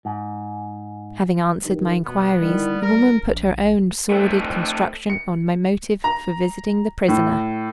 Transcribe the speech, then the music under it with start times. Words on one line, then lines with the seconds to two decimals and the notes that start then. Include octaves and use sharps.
Having answered my inquiries, the woman put her own sordid construction on my motive for visiting the prisoner.
0.05 G#2
1.63 G2 D#3
2.06 B2 B3
2.40 D3 D#3 G3 E4
2.82 A1 A#4
3.28 A#1
4.10 A3 C4
5.10 C#7
6.04 A#5
7.08 A2